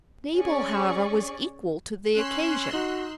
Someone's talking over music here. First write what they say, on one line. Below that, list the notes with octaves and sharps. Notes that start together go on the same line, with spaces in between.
Mabel, however, was equal to the occasion.
C#4 G#4 D5 C#6
C#4 C6 E6 F#6
D#4 F#4